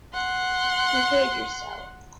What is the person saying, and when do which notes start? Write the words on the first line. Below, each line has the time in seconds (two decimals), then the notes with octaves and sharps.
Behave yourself!
0.14 F#5 C6